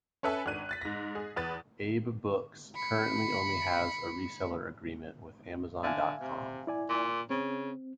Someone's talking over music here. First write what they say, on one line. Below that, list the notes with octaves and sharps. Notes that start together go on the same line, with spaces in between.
AbeBooks currently only has a reseller agreement with Amazon dot com.
C#4 A4 B4 E5 G#5 A5
G#1 D4 F#6 D#7
F#6 A6 B6
G#2 A#6
G#4
E2 B4 A6
B5 C#7
D3 E5 F5 G#5
C3
E4 D5 G#5
A#2
C#3 C4